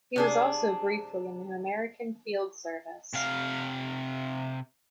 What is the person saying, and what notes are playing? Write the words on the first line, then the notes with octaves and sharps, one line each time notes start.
He was also briefly in the American Field Service.
C3 D4 G#4
C3 F5